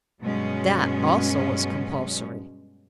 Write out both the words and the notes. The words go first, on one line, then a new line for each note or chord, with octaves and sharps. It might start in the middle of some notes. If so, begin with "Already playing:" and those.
That also was compulsory.
G2 B2 F#3 G#3 C#4